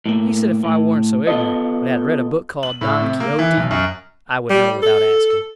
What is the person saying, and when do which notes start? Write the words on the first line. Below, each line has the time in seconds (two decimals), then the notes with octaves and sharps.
He said if I warn't so ignorant, but had read a book called Don Quixote, I would know without asking.
0.06 A2 A#3
0.64 A2
1.27 B3 F4 A4 D#5
2.63 F#7
2.81 A2
3.02 C3
3.20 A#3
3.39 E3
3.57 B1
3.71 F#2
4.50 G3
4.83 A4